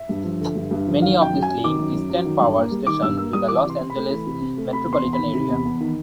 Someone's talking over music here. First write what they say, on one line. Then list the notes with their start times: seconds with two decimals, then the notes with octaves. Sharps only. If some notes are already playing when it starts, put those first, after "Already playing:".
Many of these link distant power stations to the Los Angeles metropolitan area.
Already playing: E5
0.09 G2
0.24 F3
0.40 D3
0.55 G2
0.71 G2
0.87 F3
1.02 D#3 F5
1.17 F#2 G5
1.33 F#2
1.43 G#5
1.48 F#3
1.64 D#3 D6
1.79 F#2
1.94 F#2
2.10 F#3
2.25 D#3
2.41 G2
2.56 A#3
2.71 G3
2.87 D#3 D6
3.02 G2 E6
3.18 A#3 E6
3.33 G3 D#6
3.48 E3 D6
3.65 C3
3.70 C6
3.80 C4
3.90 B5
3.95 A3
4.10 E3
4.27 C3
4.41 C4
4.57 A3
4.73 C3 B5
4.87 E2
4.93 C6
5.04 E2
5.13 B5
5.18 D#3
5.34 C3
5.49 E2
5.65 E2
5.80 D#3